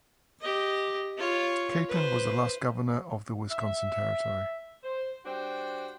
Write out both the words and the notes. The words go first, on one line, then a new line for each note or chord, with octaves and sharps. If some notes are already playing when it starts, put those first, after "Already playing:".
Catlin was the last Governor of the Wisconsin Territory.
G4 D#5
F4 C#5
B4 C5
E5
C5
G3 D4 F#4 C5 G5